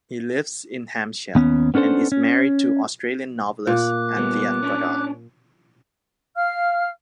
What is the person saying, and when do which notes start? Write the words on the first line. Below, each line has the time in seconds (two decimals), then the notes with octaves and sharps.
He lives in Hampshire and is married to Australian novelist Anthea Goddard.
1.35 D#2 B3 C#4
1.74 B3 C#4 D4 A4 C5
2.12 C#4
3.67 A#2 D6 F#6
4.17 G3 B3
4.63 C#4 D4
6.36 F5 F6